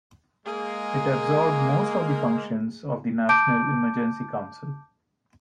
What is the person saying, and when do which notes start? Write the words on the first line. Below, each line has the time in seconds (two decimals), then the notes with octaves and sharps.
It absorbed most of the functions of the National Emergency Council.
0.46 G#3 A#3 G#4
3.29 A5 D6 G6 D7